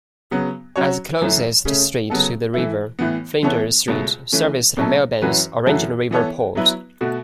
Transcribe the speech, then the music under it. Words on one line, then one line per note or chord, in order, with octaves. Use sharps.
As the closest street to the river, Flinders Street serviced Melbourne's original river port.
C#3 F#3 B3
F#3 C#4 F#4 C#5
F#2 E3 A3
C#3 A3 C#4
C#3 F#3 B3 A4
E3 A3 E4
A2 E3 B3
E3 B3 A4 C#5
C#2 B2 A3
E3 A3 C#4
B2 F#3 A3 C#4 A4
F#2 E3 C#4 F#4 B4
F#2 E3 A3 F#4 A4
E3 B3 A4 C#5
F#3 B3 E4 B4
B2 A3 F#4